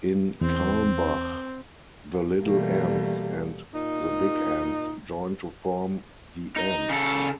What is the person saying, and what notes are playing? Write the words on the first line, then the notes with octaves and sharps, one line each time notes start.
In Calmbach, the Little Enz and the Big Enz join to form the Enz.
E2 C4
B2 E3 G3 A3 A#3
A#2 D#4
D#4
C#3 A4